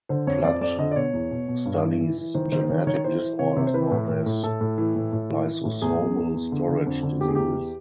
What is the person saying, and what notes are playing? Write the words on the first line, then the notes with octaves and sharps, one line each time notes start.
Platt studies genetic disorders known as lysosomal storage diseases.
D3 C5
F2 C#5
F2 D5
F2 D5
D3 D#5
D5
B2 C#5
E2
B2
B2
G2
E3
E3
E3
D#3 C5
D#3 C5
C5
D#3 C#5
D#3 C#5
E3 C5
E3
C3 C#5
C3
C5
E3 B4
A2
A2
A2
A2 A4
A2
E3
A2
A2
E3
E3
A2
E2 G#4
E2
E2
E2
D3
D3
F2
D3
E2 G4
G#4
E2 G4
E2